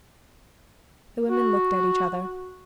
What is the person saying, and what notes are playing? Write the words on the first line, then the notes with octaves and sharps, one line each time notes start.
The women looked at each other.
F#4